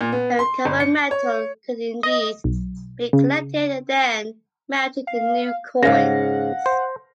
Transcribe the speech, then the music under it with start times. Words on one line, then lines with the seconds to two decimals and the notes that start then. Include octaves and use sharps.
The recovered metal could indeed be collected and then melted in new coins.
0.01 A#2
0.12 B3
0.39 C6
0.65 G1
0.80 C#7
1.11 C#5
2.03 D#5
2.44 B1
3.13 C#3
5.07 F5
5.83 G#2 C#3 F5 F#5 A#6
6.66 C5